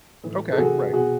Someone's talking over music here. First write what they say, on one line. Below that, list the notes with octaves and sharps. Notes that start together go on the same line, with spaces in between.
Okay, right.
A2 E3
A4
C3 E3 F#4 G#4
B2 F#4 G#4